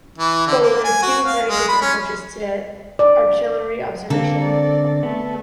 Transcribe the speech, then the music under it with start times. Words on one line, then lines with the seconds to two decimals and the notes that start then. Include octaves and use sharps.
Broadly, there are two very different approaches to artillery observation.
0.18 E3
0.47 D3
0.62 A#3
0.84 G#5
1.02 F#4
1.26 F5
1.48 G#3
1.68 B5
1.81 C#4
2.99 D5
4.10 D3 A#3 C4 A4
4.44 D5
5.03 A3 B3